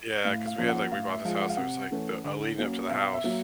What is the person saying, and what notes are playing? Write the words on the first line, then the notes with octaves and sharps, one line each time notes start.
yeah, 'cause we had, like, we bought this house. It was, like, the, uh, leading up to the house,
A2 F5
F5
F3 A#3 C#4
F#5
A2 F5
E5
F3 G#3 F5
F#5
F5
C3 F#5
E3 A3 C#4
D3
F#3 A#3 C#4
E5
B2 F5
E5
F#3 A#3